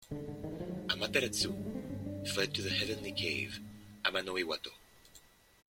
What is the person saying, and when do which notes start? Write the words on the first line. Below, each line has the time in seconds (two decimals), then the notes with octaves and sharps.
Amaterasu fled to the heavenly cave Amano-Iwato.
0.11 G#2 D3
0.27 G#2 D3
0.43 G#2 D#3
0.52 E3
0.60 G#2 F3
0.68 F#3
0.76 G#2
0.93 G#2
1.09 G#2
1.25 G#2
1.41 G2 F#3
1.49 G3
1.57 D3 G#3
1.66 A3
1.74 D3 C4
1.89 G2 C#4
2.06 G2 D4
2.22 D3
2.39 D3
2.54 G2
2.70 G#2 C#4
2.82 C4
2.87 G#2
2.92 C#4
3.03 G#2 D4
3.19 G#2
3.36 G#2
3.52 G#2